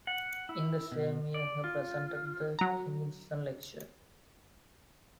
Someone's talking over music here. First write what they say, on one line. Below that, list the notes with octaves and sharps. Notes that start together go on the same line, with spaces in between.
In the same year he presented the Higginson Lecture.
F#5
E4
B2
D5
F4
F#3 A#5